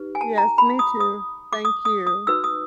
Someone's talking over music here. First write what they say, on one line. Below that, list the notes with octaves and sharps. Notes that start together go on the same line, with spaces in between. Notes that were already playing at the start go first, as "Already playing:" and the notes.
Yes, me too. Thank you.
Already playing: D#4 G4 B4
G#5
A5
A#5
B5
D#6
D#6
D6
D#6
D#6
D#6
D#4 F#4 B4 E6
D#6